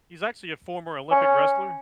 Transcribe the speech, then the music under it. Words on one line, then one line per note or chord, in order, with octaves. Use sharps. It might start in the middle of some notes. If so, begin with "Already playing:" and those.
he's actually a former Olympic wrestler.
C#4